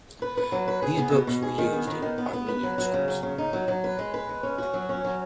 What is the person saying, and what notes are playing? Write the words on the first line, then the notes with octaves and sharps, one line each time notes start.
These books were used in Armenian schools.
B4
B4
F#3
B4
G#4
B3
B2
B2
G#4
D#3
B3
D#3
D#3
B3
B3
B4
F#3
F#3
C#3
F#3
C#3
D#4
F#3
F#3
B4
G#3
B4
G#3
C#4
F#4
F#3
C#4
F#3